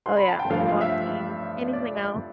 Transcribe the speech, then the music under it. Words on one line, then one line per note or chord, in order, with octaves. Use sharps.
Oh, yeah walking. Anything else?
C6
B5
A5
G5
G2 F3 A3 D4 F5
E5
D5